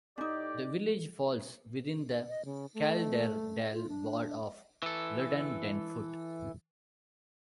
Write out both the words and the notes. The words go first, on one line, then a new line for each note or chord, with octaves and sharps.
The village falls within the Calderdale Ward of Luddendenfoot.
A2 C#4 D#4 G4 D5 D#5
D#5
C#3
A3
F4
D4
E3 A4